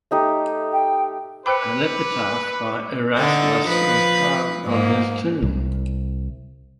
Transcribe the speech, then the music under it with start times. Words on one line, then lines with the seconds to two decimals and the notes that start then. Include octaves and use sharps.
An epitaph by Erasmus was carved on his tomb.
0.11 A3 D#4 G4
0.72 G5
1.46 B4 C5 G5 B5 D6 E6 C#7
3.17 D3 D#4 A4
3.68 F3 B4
4.65 G#2 A#3
5.42 C2